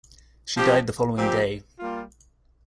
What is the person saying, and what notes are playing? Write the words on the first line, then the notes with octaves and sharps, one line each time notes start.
She died the following day.
F3 C4 G4
A#2 F3 C4 G4
G3 A#3 F4